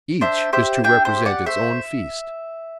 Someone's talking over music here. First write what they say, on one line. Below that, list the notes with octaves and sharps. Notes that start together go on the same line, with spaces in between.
Each is to represent its own feast.
D4 C5 E5
G4 C5 E5
D4 E5 G5
C5 E5
G4
D5 F#5
A3 C5 E5